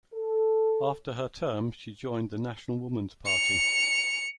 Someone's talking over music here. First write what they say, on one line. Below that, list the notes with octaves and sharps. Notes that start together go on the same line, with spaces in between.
After her term she joined the National Woman's Party.
A4
C#7 F7